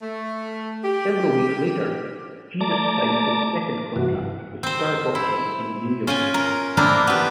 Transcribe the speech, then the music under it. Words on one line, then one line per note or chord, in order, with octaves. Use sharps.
Several weeks later, Jesus signed his second contract with Star Boxing in New York.
A3
G4
A3 D5 A5 A#5 D6
G2 C3 E3 F#4
C4 C5
E4
C#4 F4 G5 G#5
A#4
A#3 C4 D4 E4 F4 A#4
B3 G4